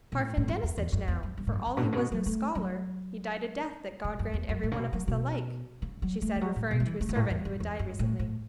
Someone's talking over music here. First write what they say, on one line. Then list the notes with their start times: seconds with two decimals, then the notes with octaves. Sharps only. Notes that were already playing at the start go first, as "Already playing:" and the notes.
"Parfen Denisitch now, for all he was no scholar, he died a death that God grant every one of us the like," she said, referring to a servant who had died recently.
0.12 B2
0.18 A2
0.37 A2
0.48 F#2
0.63 E2
0.78 E2
0.92 F#2
1.08 E2
1.23 F#2
1.37 F#2
1.47 A2
1.52 F#2
1.67 F#2
1.77 B2
1.82 A2
1.93 C#3
1.97 B2
2.12 F#3
2.26 A3
2.55 F#3
4.04 C#3
4.19 F#2
4.34 E2
4.49 F#2
4.63 A2
4.72 C#3
4.78 B2
4.93 F#3
5.08 B2
5.82 C#3
6.02 F#3
6.22 A3
6.35 E3
6.41 F#3
6.56 A2
6.71 B2
6.80 F#3
6.86 E3
7.01 A3
7.09 F#2
7.15 A2
7.30 E2
7.45 F#2
7.60 E2
7.79 F#2
7.99 A2
8.19 A2